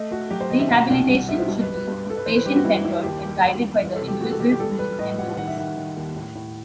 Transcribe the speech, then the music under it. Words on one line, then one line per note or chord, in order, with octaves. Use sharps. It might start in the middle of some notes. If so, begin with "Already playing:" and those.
Rehabilitation should be patient-centered and guided by the individual's needs and goals.
Already playing: A3 D#5
A3 F#4
F#3 G4
C5
D#3 D#5
E5
B2 F#5
C2 G5
G3 F#5
B2 E5
C5
G2 D#5
B4
G2
B4
G2
G2 A4
B4
E3 C5
B4
G3 G4
F#4
G2 E4
G3 E4
D#2 G4
G3 G4
D#2
G3
E3
A4
C3
G4
E3 F#4
A4
E3 G4
G4
G3 A4
G3 B4
A2 D#5
G3 F#5
D#3 F#5
E5
D#3 F#5
D#3
D#2
A2
A2